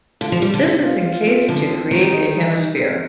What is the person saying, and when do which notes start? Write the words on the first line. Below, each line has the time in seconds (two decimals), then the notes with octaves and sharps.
This is encased to create a hemisphere.
0.21 D3 F4
0.32 F3
0.42 G3 F4
0.54 D3
0.64 C3 C4
0.85 F4
1.06 F4
1.27 C4
1.48 D3 F3
1.70 C4
1.91 D#3 G4
2.12 D#4
2.34 G3
2.55 D#4
2.76 C4